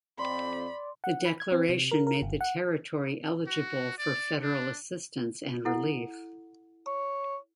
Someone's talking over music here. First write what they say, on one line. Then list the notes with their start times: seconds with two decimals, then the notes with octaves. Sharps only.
The declaration made the territory eligible for federal assistance and relief.
0.19 F2 C4 D5 B5 C6
1.04 F#5
1.25 B5
1.40 G#6
1.52 C4
1.69 C3
1.91 A#4
2.07 A#4
2.22 G1
2.41 F#5
3.47 F#4
3.98 D5
4.42 D4
5.65 E4 A4 F#5
6.87 C#5